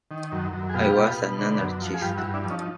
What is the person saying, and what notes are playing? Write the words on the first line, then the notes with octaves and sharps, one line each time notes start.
I was an anarchist.
D#3
F#2
F#2
G#4
B2 F4 G4
B2
B2
D3
F#2
F3
G#4
G2 F4 G4
E4 F#4
G2
D4 E4
F3
C#4 D#4
D#4